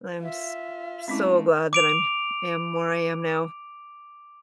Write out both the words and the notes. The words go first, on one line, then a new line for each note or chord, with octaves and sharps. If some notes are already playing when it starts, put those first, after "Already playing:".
I'm s so glad that I'm am where I am now.
F4 E5
G#3 A3 C4 C#4 E4
D6 D7 F7